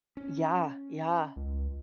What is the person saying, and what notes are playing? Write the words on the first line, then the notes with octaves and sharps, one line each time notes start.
Yeah, yeah.
C#4
C#2